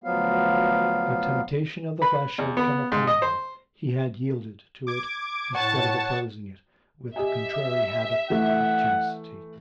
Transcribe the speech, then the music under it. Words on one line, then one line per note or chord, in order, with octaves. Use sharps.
A temptation of the flesh had come upon him; he had yielded to it instead of opposing it with the contrary habit of chastity.
D2 F3 F#3 B3 F5
B4
E2
B3
G#2
D#5
C5
D6 G#6 D7
A2 C#5 F#5 A5 C#6
G4 D#5 E5 G#5
E3 A3 F#5